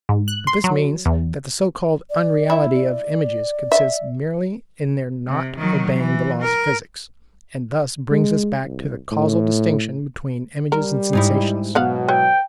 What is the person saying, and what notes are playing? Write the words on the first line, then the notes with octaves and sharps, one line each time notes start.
But this means that the so-called "unreality" of images consists merely in their not obeying the laws of physics, and thus brings us back to the causal distinction between images and sensations.
G#2
F#6
C6
F#3
E2
D5
E4
D5
E5
C3
D#3 F#3
E3
A#4
G#3
C2
A2
G3 A#4
G#2 D#4 E4
B2 F#3 B3 F5 F#5
B4 C#5 E5 G5